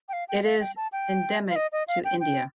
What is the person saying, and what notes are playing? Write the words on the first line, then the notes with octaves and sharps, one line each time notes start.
It is endemic to India.
G5
F5
G5
F5
G5
A5
G5
F5
D#5
D#5
F5
G5
G5